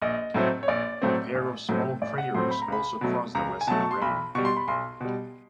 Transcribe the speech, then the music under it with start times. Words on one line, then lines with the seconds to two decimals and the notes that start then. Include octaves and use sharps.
A pair of small craters also cross the western rim.
0.02 A#1 D#5
0.34 A2 F#3 A3 C4
0.63 C#5
0.68 A#1 D5
1.02 A2 F#3 A3 C4
1.35 A1
1.69 A2 F#3 A3 C4
2.01 A1 D5
2.18 F#5
2.34 A2 F#3 A3 C4 C6
2.51 B5
2.62 A#5
2.68 C#2 B5
3.01 B2 F#3 A3
3.35 C#2 A#5
3.61 G#5
3.67 B2 F#3 A3 A5
3.80 C#6
3.91 C6
4.02 B1 B5
4.35 B2 G3 C#6
4.45 C6
4.57 B5
4.68 B1 C6
5.01 B2 G3